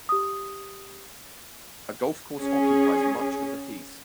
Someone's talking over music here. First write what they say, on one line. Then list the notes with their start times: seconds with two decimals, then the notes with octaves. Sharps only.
A golf course occupies much of the heath.
0.09 G4 D#6
2.40 C#4 G#4